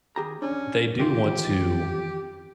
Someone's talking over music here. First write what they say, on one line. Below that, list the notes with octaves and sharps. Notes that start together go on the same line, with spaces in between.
they do want to
D#2 G4 G#4 A#5
C#4 D4
D#3 E3 F4 G4